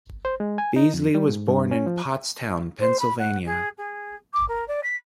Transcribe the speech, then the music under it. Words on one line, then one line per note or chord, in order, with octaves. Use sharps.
Beasley was born in Pottstown, Pennsylvania.
C5
G#3
G#5
D#4
F2
G3
G#2
G2
C#4
F3
C5
B5
F#5
G#4
G#4
D6
A#4
D5
B6